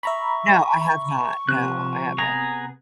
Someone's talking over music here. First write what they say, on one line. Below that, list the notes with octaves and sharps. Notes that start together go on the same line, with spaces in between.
No, I have not. No, I haven't.
E5 A#5 B5 C#6
C3 F3 F#6
B3 G#4 A#5